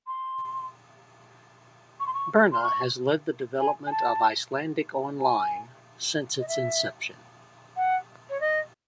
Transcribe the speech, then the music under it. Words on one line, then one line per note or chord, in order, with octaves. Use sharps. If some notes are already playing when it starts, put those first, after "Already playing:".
Birna has led the development of "Icelandic Online" since its inception.
C6
C#6
C6
C#6
C6
C#6
G#5
G#5
A5
G#5
D#5
E5
F#5
C#5
D#5